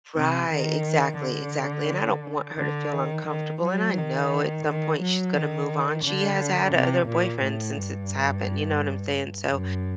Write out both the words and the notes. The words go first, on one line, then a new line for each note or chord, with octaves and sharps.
right, exactly, exactly, and I don't want her to feel uncomfortable, and I know at some point she's gonna move on; she has had other boyfriends since it's happened, you know what I'm saying? So,
C3
D#3
D3
D3
D#3
D#3
F#3
D#3
D#3
F#3
D#3
D3
C3
A#2
A2
G2
F#2